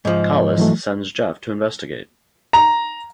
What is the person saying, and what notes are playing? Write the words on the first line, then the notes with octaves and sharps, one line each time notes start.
Collis sends Jeff to investigate.
G#2 F3
E3 F#3 A3
A#5